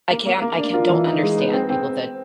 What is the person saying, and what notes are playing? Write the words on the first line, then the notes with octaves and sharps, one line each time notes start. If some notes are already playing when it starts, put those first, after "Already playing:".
I can't, I can don't understand people that
A#3
A#3
A#3
D4
F4
E3
D#4
G#3
B3
C4
C4